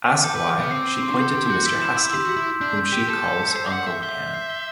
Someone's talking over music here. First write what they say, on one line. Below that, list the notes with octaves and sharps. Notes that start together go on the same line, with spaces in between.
Asked why, she pointed to Mr. Haski, whom she calls Uncle Han.
D6
A4 G6
B4 D6
B3 D6
C4 C7
C7
C6
A4 G6
G4 C6
E4
F#4 G6
E4 B6
E7
E6
G4 C6
F#4 B6
E4
B6
D4 G6
G6
G4 B6
A4 E7
G6
B6
C5 C7
F#5 C7
E5 G6
E5 G7
G6
C7
G7